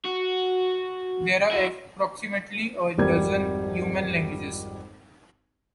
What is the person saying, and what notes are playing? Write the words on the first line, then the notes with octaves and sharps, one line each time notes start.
There are approximately a dozen Yuman languages.
F#4
E4 F#4
G#1 F2 G3 C4 A#4 G#6